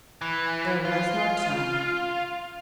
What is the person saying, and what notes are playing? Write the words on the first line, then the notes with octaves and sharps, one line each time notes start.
There was not time.
E3
F4